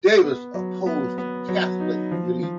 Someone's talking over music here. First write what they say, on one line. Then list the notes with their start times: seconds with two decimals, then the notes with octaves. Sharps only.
Davis opposed Catholic relief.
0.23 B3
0.54 F#3
0.86 B3
1.18 B3
1.48 F#3
1.80 D#4
2.11 F3
2.43 F3